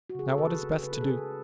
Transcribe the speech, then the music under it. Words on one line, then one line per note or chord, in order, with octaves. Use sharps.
Now what is best to do?
F#4
C#3 G#4
A4
C#3 B4
C#3
C#3 B4
A4
G#4
C#3 A4